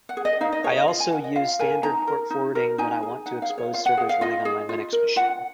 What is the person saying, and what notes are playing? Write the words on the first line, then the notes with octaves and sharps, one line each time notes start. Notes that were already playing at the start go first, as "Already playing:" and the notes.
I also use standard port forwarding when I want to expose servers running on my Linux machine.
F#5
G#4
D#5
D#4 F5
D#5
G#4 C#5
D#5
F4 F5
G#5
A#4 F#5
D#5
F4 F5
A#4 G#5
D#4 A#5
A#4
D#4
A#4
D#4 G#5
G#4
D#4 F#5
F5
G#4
C#5
F4 F5
F#5
G#4
F5
F4 D#5
G#4
F4
A#4
F4 F#5